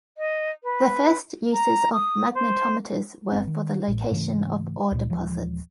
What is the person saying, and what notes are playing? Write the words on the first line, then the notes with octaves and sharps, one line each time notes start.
The first uses of magnetometers were for the location of ore deposits.
D#5
B4
A#5
D#6
C5
G1 B3 C4
D#3
A1 A2
G#2 C#3 E3 A3
C#2 A#2
D#1 E3 F3 G#3